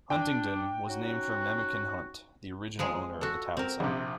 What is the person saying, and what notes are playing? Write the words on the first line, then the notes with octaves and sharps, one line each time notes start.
Huntingdon was named for Memucan Hunt, the original owner of the town site.
D4 G5
C#4 D#4 F#4
F3 G#3 G#4
F#4 A4
C4 A#4
A#1 C3